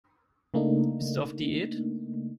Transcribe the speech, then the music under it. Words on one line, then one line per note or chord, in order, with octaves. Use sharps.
Bist du auf Diät?
C#3 A3 A#3 D4 D#4